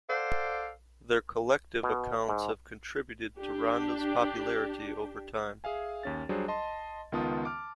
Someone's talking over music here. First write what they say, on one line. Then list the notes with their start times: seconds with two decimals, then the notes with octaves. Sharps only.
Their collective accounts have contributed to Ronda's popularity over time.
0.09 A4 C5 D5 F5 F#5
1.83 B2
2.29 G#2
3.40 D4 G4
5.64 G#4 E5 F5 G#5
6.03 D#2 C#4 A6
6.29 F#3 G3 D4 G#4 C5
6.48 D#5 A5 C6
7.12 C#2 D#3 B3 F4 A5 D#6
7.44 A5 D6 F6